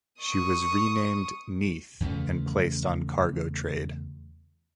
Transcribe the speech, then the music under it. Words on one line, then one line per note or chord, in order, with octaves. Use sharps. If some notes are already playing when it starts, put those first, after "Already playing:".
She was renamed "Neath" and placed on cargo trade.
C#6 D#6
E2 C#3 F3 A3